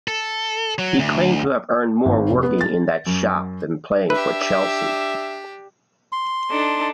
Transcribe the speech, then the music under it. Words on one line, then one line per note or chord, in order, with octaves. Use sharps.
He claimed to have earned more working in that shop than playing for Chelsea.
A4
F#3
D2
G#1
F1
B3
A6
F#2
D4 G4 B4 E5
C6
D4 D#4 A4